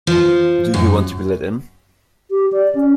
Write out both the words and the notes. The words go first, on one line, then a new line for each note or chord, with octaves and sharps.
Do you want to be let in?
F3
F#2
G4
D5
C#4